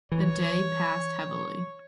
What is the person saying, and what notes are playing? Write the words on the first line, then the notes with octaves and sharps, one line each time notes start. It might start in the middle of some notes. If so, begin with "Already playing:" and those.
The day passed heavily.
E3 C#5